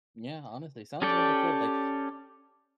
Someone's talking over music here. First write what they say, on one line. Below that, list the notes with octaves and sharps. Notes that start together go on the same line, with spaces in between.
Yeah, honestly, sounds really good, like,
C#4 G4 A4 D5 G5